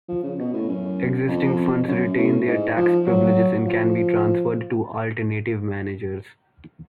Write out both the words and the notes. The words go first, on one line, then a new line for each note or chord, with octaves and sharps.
Existing funds retain their tax privileges and can be transferred to alternative managers.
F3
C#3
B2
A2
F#2
F2
F#2
A2
G#2
F3
F#3
F3